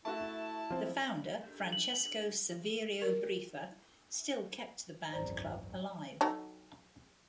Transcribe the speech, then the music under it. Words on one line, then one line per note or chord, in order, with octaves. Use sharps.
The founder, Francesco Saverio Briffa, still kept the band club alive.
A3 E4 F#4 A5
F3 C4
F#7
A#4
G#1 C#2 F#2 C5 D5 A#5
F#3 D#4 A4